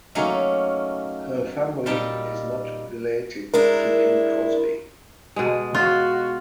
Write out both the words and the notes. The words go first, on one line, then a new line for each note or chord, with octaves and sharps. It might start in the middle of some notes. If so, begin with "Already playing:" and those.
Her family is not related to Bing Crosby.
F#3 A3 A#3 C#4 D#4
A#2 G3 D#4 G5 A5
G#3 D4 E4 A#4
B2 G#3
F4 F#4